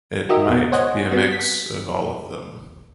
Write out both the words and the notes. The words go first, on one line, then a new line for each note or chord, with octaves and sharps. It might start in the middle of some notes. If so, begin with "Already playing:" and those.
It might be a mix of all of them.
D#4 F#4 G4 A#4 D#5 E5
F2 B3
C5 C#5 D#5 F#5 G#5
B3 C4 F#4
B6